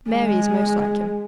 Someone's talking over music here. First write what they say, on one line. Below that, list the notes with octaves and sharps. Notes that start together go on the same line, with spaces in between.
Mary is most like him.
G#3